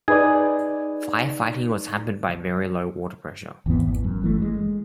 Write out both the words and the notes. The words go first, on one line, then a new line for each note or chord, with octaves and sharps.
Firefighting was hampered by very low water pressure.
D#4 G#4 B4 D5 G#5
G#1 E2 E3 B3
G#1
F#2
G1 E3 A3
G#3